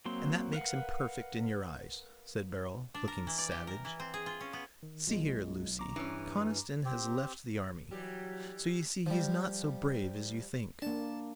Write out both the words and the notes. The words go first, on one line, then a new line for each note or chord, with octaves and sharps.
"And that makes him perfect in your eyes," said Beryl, looking savage. "See here, Lucy, Conniston has left the army--so you see he is not so brave as you think."
F#3 A#3 C4 C6
A#4 B4 F5 F#5
D4
A#4
E3
D5
G4
A#4
E3
C4
G#4
F4
C#4
B3
D#3
B1 G#3 B3 F4
A#5 C#6 D6
G2 E3 C#4
C4 G4
E3 F#3 G3 G4
F3 G3
A#3 D4 A5